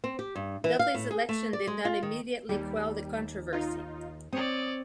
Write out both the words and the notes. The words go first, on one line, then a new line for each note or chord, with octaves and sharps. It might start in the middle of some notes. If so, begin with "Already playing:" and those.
Dudley's election did not immediately quell the controversy.
C4
G4
G2
E3
F5
A2
G#4
A3
D5
G#3
F4
D#3
D#2 G3
D#4 F4
C4 C#5 D5 D#6